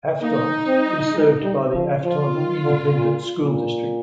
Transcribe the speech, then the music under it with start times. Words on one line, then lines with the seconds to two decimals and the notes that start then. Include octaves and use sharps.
Afton is served by the Afton Independent School District.
0.22 A#3 D#4
0.67 C4
1.13 G#3
1.43 G3
1.74 F3
2.04 F3 F4
2.35 D#3
2.65 D3
2.95 A#2
3.41 A#2